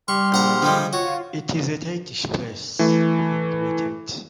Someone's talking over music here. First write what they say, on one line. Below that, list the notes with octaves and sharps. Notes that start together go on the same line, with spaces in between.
"It is a tightish place," he admitted.
G3 G4 C6 C#6 F6
A#1 F#5 A#5
D3 F3 G3 G#3
F4 F#4 C#5
E3 A3